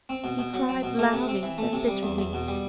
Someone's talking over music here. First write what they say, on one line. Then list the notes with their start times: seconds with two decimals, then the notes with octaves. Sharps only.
He cried loudly and bitterly.
0.09 C4
0.24 B2
0.39 B2
0.54 F#3
0.69 C4
0.83 B2
0.99 A3
1.13 C3
1.28 C4
1.43 E3
1.58 A3
1.73 C3
1.88 G3
2.03 E2
2.18 E2
2.33 B2
2.48 G3